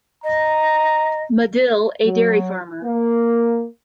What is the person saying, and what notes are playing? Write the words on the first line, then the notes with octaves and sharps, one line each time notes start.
Madill, a dairy farmer.
D#5 A#5
F#3
A#3